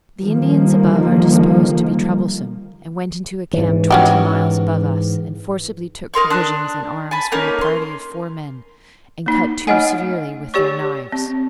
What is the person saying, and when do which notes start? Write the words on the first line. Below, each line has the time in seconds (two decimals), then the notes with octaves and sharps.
The Indians above are disposed to be troublesome and went into a camp twenty miles above us and forcibly took provisions and arms from a party of four men and cut two severely with their knives.
0.20 D3 D#3 F3 G3 A#3
3.53 G#2 E3
3.91 C#4 F#4 G4
6.14 D#4 A#4 C6 C#6
6.30 D4 D#6 F#6
7.11 G#5 A5 B5
7.32 A#3 C#4 D#4 A#4
7.61 C6
9.26 A#3 D#4
9.67 A3 D#4 C#5 D#5 F#5 G#5
10.54 G4 C#5 D5 C#6
11.12 C4